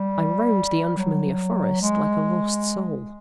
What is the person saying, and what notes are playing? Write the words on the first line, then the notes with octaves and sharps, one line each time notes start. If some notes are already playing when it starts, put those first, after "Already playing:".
I roamed the unfamiliar forest like a lost soul.
Already playing: G3
F#3
G#3